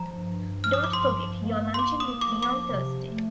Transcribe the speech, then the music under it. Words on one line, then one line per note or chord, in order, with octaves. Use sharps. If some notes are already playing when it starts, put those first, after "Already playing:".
Don't forget, you're lunching with me on Thursday.
Already playing: F3 A#5
G2
F3
F6
D#6
D6
G2 C6
A#3
C6
A#3 D6
D#6
F3 D6
D6
C3
A3